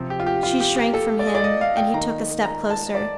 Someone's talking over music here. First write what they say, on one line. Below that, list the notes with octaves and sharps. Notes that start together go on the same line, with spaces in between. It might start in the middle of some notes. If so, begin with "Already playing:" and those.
She shrank from him, and he took a step closer.
Already playing: C3 F3 C4
G4
F4
G4
F4
G4
G4
A4
D5
D#5
D5
D#5
F5
G5
D#3 A#3 D#4 A#5
A#5
A5
D5